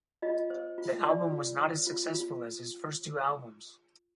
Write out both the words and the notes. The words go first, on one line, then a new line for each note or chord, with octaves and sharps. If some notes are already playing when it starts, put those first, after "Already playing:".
The album was not as successful as his first two albums.
F4 D#5
C5
F4
F4 D5
F4
C5
F4
F4